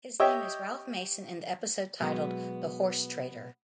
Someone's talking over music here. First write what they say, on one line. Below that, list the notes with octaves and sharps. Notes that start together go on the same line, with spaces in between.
His name is Ralph Mason in the episode titled The Horse Trader.
G4 C#5 D#5 E5 G5
B2 F#3 G#3 B3